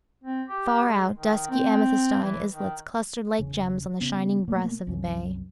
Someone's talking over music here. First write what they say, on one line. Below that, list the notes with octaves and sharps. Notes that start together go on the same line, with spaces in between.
Far out dusky amethystine islets clustered like gems on the shining breast of the bay.
C4
G4
G#3
D#3
C4
E3
D#3
E1 C#3
C#3 B3
B2 A3 A#3
C2 F#2